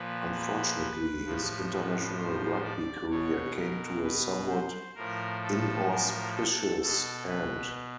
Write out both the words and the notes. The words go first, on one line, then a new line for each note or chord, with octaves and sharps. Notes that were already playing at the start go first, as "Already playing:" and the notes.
Unfortunately his International rugby career came to a somewhat inauspicious end.
Already playing: A#2 F3 B4
B4
A2 F3
B4
C5
D5
B2 C#5
A#4
B4
C5
A2 F3 A#4
A4
A#4
A4
B2 A4
B4